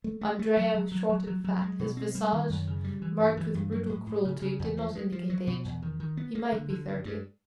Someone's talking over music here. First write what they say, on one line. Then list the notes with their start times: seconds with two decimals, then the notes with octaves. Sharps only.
Andrea was short and fat; his visage, marked with brutal cruelty, did not indicate age; he might be thirty.
0.04 A3
0.21 A3
0.39 A3
0.57 F#3
0.74 F#3
0.92 F#3
1.09 F#3
1.27 F#3
1.44 F#3
1.62 G#3
1.79 B2
1.97 C4
2.15 G3
2.32 D#3
2.50 F#2
2.67 C#3
2.84 G3
3.02 E3
3.20 G2
3.37 E3
3.55 G2
3.72 F#3
3.89 A2
4.07 A2
4.25 C#3
4.42 C#3
4.60 E2
4.77 F3
4.95 G#3
5.12 F3
5.30 F#3
5.47 B2
5.65 E2
5.82 D#3
6.00 D#3
6.17 B3
6.35 A#3
6.52 D3
6.70 D3
6.88 G2
7.05 G2